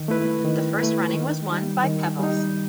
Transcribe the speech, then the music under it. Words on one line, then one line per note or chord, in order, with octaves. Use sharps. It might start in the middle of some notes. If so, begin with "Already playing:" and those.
The first running was won by Pebbles.
Already playing: D#3
A3 E4 B4
D#3
A3 E4 B4
D#3
G3 D#4
D#3
G3 D#4